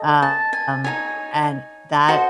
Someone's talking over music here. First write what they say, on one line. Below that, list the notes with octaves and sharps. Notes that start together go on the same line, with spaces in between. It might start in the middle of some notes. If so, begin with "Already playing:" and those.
Um, and that
Already playing: A4 D#5
A5
G#5
D#4 G#4 C#5 G#5
F#4 A4 C5 D#5 F#5